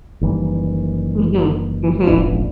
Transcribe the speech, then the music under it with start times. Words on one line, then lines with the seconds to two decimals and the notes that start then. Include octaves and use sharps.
Mhm. Mhm. Mm.
0.21 F#1 D#3 E3 G3
2.07 E1 A1 F3 D4